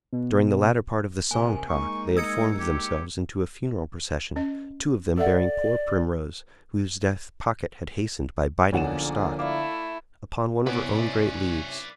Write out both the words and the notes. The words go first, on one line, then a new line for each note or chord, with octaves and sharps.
During the latter part of the song-talk, they had formed themselves into a funeral procession, two of them bearing poor Primrose, whose death Pocket had hastened by biting her stalk, upon one of her own great leaves.
B2
C3 D#3 G#5
G#3 A#3 D#4 C#6
D#5 E6 G#6 C#7
G4
C#4 D#5
A4 D5 E5 F#5
B1 D3 F3 A#3 G#4 D5 F#5 E7
A3 E4 D5 F5 D6
C3 B3 C#4 E4 B4 C#5 D5